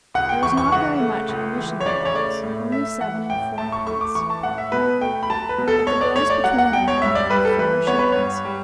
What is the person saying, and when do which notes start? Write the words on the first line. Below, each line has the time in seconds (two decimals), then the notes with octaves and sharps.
There was not very much in the missionary-box - only seven-and-fourpence - but the girls between them had nearly four shillings.
0.14 C#2 F#5
0.29 G5
0.43 E3 C#6
0.57 C#6
0.72 C#3 F#5
1.00 A3
1.29 C#2
1.58 E3
1.80 C#5
1.86 C#3 D5
2.05 C#5
2.14 A3 D5
2.44 A2
2.72 A3 E5
3.01 E3 F#5
3.29 A2 G5
3.58 A2 A5
3.72 C#6
3.87 A3 C#6
4.01 D6
4.15 E3 C#6
4.30 A5
4.43 A2 F#5
4.58 E5
4.72 B2 B4
5.01 A3 G5
5.23 B5
5.30 F#3 A5
5.49 B4
5.58 B2
5.68 A4
5.86 B2 C#5
6.01 D5
6.15 A3 C#5
6.30 D5
6.44 F#3 F#5
6.58 F#5
6.72 B2 G5
6.88 C#5
7.01 G2 E5
7.15 D5
7.30 G3 B4
7.45 A4
7.59 E3 B4
7.87 B3 C#5
7.99 B4
8.12 G2 C#5
8.45 G3